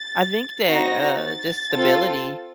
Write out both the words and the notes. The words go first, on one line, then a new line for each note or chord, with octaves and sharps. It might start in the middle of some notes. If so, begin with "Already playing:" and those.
I think that, uh, just stability,
Already playing: A6
C4 D#4 F#4 A#6
A6
C4 F4 A4